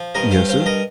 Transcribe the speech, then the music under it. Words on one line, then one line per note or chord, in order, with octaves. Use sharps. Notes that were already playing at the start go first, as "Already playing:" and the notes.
"Yes, sir."
Already playing: F3
G2 A#4 D#5
C5 F5
G2
C5 F5
G2
A#4 D#5